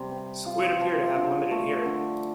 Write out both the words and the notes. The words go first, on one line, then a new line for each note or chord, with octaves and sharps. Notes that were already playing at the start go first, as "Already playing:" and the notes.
Squid appear to have limited hearing.
Already playing: C3 G3
C4
F4
F3
D3
A3
D3